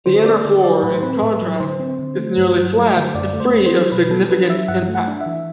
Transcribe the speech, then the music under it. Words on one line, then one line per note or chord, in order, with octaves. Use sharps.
The inner floor, in contrast, is nearly flat and free of significant impacts.
D3 C5
B3 D5
D3 D5
F#3 D5
A2 B4
C5
C4 B4
A2
F#3
D3 C5
C4
D3
A3
G2
F#3
A3
D3
F#2 D5
A3
C5
C4
C5
F#3
B2 B4
B3 A4
D4 B4
F#3 E5
G2 F#5
A3
F#5
D4
E5
E3